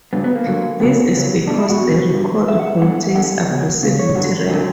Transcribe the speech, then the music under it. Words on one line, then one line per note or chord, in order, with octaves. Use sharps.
This is because the record contains abrasive material.
G2 D3 F#3 B3
B3
A#3
G2 D3 F#3
E2 C#3 F#3 B3
E2 C#3 F#3
E2 B2 G3 D4
E4
F#4
E2 B2 G3
G2 E3 G3
G2 E3 E5
F#5
E2 D3 G3 F#5
F#5
E2 D3 G3 F#5
F#5
E2 C#3 F#3
E2 C#3
C#5
G2 D3 F#3 F#4
D3 F#3